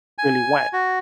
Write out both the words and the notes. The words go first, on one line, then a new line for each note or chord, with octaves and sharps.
really went,
G#5
F#4